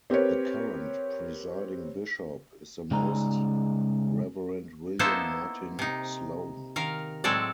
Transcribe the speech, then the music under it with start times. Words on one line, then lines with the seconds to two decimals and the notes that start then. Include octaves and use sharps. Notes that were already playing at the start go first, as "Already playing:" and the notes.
The current presiding bishop is the Most Reverend William Martin Sloane.
0.10 C4 G4 A#4 B4 C#5
2.91 C#3 G3 G#3 D#4 A#5
4.99 A#3 B3 D#4 E4 A4 C5
5.79 C3 D#4
6.76 D#3 A#4 F5
7.24 A2 F#3 G#3 C4 A4 D5